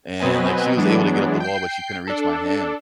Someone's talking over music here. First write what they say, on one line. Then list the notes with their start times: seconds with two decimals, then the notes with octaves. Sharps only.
and, like, she was able to get up the wall, but she couldn't reach my hand,
0.20 B2 F#3 C4 B4 D#5 G#5
0.77 E3 F#3 G#3 B3 D4
1.40 G5 G6 C7
2.07 D4 A4